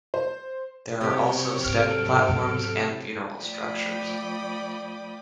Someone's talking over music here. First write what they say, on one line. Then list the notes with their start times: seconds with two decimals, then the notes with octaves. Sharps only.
There are also stepped platforms and funeral structures.
0.14 C5
1.01 C3 G3 C#5 G5 C#6
1.64 D#2 G#2 F#3 A4 F6 D7
3.38 F3 A3 D5 G5 B5 D#6